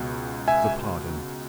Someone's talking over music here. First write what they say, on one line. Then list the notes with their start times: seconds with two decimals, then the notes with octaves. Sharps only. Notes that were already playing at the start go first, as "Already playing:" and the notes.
The Pardon.
Already playing: C#2 B2
0.48 E5 G#5